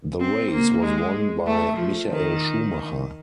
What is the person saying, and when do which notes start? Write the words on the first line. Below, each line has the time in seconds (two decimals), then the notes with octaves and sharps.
The race was won by Michael Schumacher.
0.20 C4
0.52 A#3
0.83 G#3
1.47 A3
1.78 F3
2.10 D#3